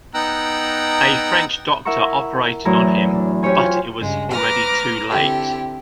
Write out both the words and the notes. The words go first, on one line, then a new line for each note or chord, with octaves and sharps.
A French doctor operated on him, but it was already too late.
B3 D#4 G5 A#5 E6 F#6
E4 A#4 E5 F#5 A#5 C#6
E2 A2 F#3 E4 A#5
D4
C4 C#4 G4 C5 C#5 G#5
F4 C6
G2 C#3 G#3
B4 A#5 D6 D#6 F6
D3 C4 E4 G4 A4